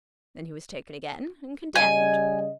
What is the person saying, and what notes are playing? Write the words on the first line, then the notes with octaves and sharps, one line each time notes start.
Then he was taken again, and condemned.
C#3 G3 D#5 G#5